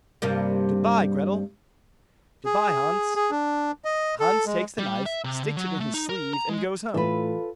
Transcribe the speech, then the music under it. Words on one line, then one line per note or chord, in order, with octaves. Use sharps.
'Goodbye, Gretel.' 'Goodbye, Hans.' Hans takes the knife, sticks it in his sleeve, and goes home.
G2 C3 A#3
G#4
G#4
D4
D#5
A4
G#3
G3
E5
C3
D3
F#3
A3
D#4
A#4
A#5
G#3
A2 E3 F4 A4 B4